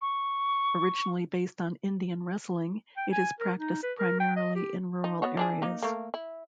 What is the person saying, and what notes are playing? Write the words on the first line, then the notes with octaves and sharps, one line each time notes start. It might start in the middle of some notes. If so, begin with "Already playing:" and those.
Originally based on Indian wrestling, it is practiced primarily in rural areas.
C#6
G5
G#5
A#4
D#4
B4
A#4
G5
D#5
G4
D#4
B3 F#4 C#5
E3 D4 G#4
A#3 D#4
A3 A#3
E4